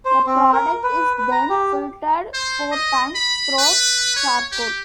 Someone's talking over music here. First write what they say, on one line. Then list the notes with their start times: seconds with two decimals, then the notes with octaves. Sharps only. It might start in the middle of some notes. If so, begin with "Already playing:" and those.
The product is then filtered four times through charcoal.
0.05 C5
0.27 C4
0.53 A#4
0.83 B4
1.18 B4
1.32 A#5
1.49 G4
2.34 C5
2.72 D#5
3.15 B5
3.58 B4
4.16 C#5
4.52 G4